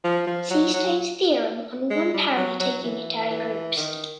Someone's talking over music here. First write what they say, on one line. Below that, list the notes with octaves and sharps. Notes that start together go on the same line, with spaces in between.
See Stone's theorem on one-parameter unitary groups.
F3
F3
F#3
F#3
G#3
G3
F#3
F#3
E3
E3
D#3